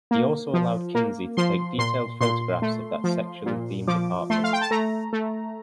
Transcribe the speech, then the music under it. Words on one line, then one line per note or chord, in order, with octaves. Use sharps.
He also allowed Kinsey to take detailed photographs of that sexually-themed apartment.
A#3
F3
A#3
F3 C6
A#2 C6
A#2 C6
A3
F3
A#2
F3 D6
A3 C6
F5
G5
A5
A3 A#5
A3